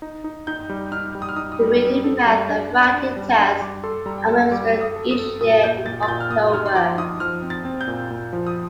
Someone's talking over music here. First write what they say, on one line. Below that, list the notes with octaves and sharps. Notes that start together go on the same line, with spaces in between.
The reading, math and writing tests are administered each year in October.
D#4
D#4
D#4 G6
G3
D#4 F6
G3
D#6
F6
D#4 D#6
D#6
G3
G3
A4
G3
D4
D4
D4
G3
D4
C6
G3 D6
A4 C6
G3 A#5
G5
A4 A5
G3 D6
A4
D#6
A4
D#6
A4
A#2 D#6
A#3 G6
A#2 A6
A6
A#2 G6
F6
A#3 D#6
D#4 F6
C6
F3 D6
D#4 D#6
F3 F6
C4
A6
C4
G6
A#2
A#2
F3
D#6